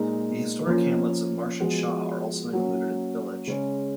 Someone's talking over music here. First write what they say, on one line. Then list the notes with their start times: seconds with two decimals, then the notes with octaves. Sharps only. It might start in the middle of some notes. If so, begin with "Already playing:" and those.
The historic hamlets of Marsh and Shaw are also included in the village.
Already playing: A#2 G#3 D#4
0.67 F3 A#3 C#4 F4
1.60 F3 G#3 B3 F#4
2.53 F#3 A#3 C#4
3.47 C#3 G#3 C#4